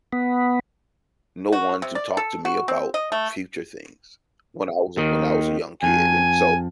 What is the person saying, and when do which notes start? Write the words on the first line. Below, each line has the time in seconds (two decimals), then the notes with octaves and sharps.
no one to talk to me about future things when I was a when I was a young kid, and so,
0.13 B3
1.52 F#4
1.82 C3
1.95 D5
2.17 A4
2.45 F#4
2.68 C4
2.94 D#5
3.12 A3
4.97 D#2 D#3
5.83 F2 G#5